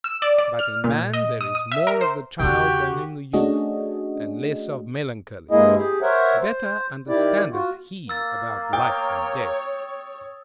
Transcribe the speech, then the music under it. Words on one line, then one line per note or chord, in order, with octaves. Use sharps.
But in man there is more of the child than in the youth, and less of melancholy: better understandeth he about life and death.
E6
D5
D5
F6
A#2
D#5
D#6
D#6
E5
A#4
C5
E2 C#3 F#4 G4 G5
A3 C#4 D4 F#4 G#4 D#5
G2 G#3 A#3 E4 G#4 D#5
G4 G#4
A#4 C5 C#5 E5 F#5
C5
D#3 E4 G4 D5
F4 F#4
A#3 E6 A6
C#5 G5 D#6